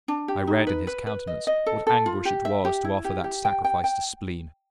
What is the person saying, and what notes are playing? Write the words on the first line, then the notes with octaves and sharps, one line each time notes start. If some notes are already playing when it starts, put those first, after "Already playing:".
I read in his countenance what anguish it was to offer that sacrifice to spleen.
D4
G4
D#4
B4
B4
B4
D#5
D#5
A4
A4
F4
G4
E5
G4
E4
G4
G4
G5
G5
G5